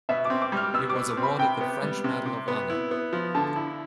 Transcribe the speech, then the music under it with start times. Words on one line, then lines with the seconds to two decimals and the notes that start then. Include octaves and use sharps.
He was awarded the French Medal of Honor.
0.09 B2 E5
0.25 D6
0.30 C4
0.42 D6
0.52 G3 F6
0.74 B2 E6
0.90 D6
0.95 B2
1.17 C4
1.23 B5
1.39 C3 G5
1.61 B3
1.82 G3
2.04 C3
2.26 C3
2.48 B3
2.70 E4
2.91 B3
3.13 F3
3.35 D3 A5
3.56 E4